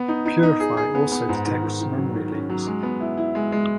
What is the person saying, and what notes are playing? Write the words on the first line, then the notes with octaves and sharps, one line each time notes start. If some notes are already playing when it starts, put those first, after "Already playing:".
Purify also detects memory leaks.
Already playing: B3
D#4
D#4
D#4
G#4
G#4
B3
B3
G#2
D#3
D#3
D#3
F#3
D#3
C#4
F#3
G#3
B3
E4
E4
G#3
G#3